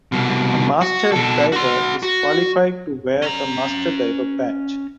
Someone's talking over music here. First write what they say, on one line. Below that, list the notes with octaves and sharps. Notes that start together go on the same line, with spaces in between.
A master diver is qualified to wear the master diver badge.
C2 B2
F#4
B2 A4
F#4 C6
F#4
C#4 A#5